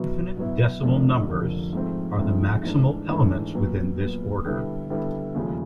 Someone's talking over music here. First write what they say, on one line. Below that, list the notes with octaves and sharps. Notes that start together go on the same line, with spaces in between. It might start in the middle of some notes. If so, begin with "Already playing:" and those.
The infinite decimal numbers are the maximal elements within this order.
Already playing: B2 F#3 B3 E4
B2 F#3 B3 E4
F1 F2 D3 F3 A#3
F1 F2 D3 F3 A#3
G#2 F3 A3 C4
G#2 F3 A3 C4
G#2 E3 A3 D4
G#2 E3 A3 D4
A#2 F#3 B3
A#2 F#3 B3
D3 G3 B3 E4 A4
D3 G3 B3 E4 A4
E1 D#2 C#3 F3 A3